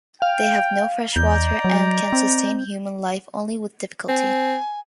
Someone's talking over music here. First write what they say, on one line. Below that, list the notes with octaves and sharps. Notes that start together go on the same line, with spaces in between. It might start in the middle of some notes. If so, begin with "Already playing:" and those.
They have no fresh water and can sustain human life only with difficulty.
F5 G5
E2 D5 D#5 A#5 G6
F#3
C4
C4 G#5